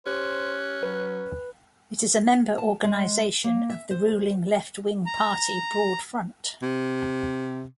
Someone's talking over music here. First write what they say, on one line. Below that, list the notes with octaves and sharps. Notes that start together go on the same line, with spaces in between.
It is a member organisation of the ruling left-wing party Broad Front.
C#4 G4 C5 F#6
F#3 B4
A5
G#3
A#3
E5
C5
A#5
C3